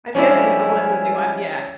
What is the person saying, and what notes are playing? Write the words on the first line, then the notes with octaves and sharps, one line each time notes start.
I'm guessing it was Golden since we went yeah.
F3 G3 G#3 C#4 D4 E4 G#5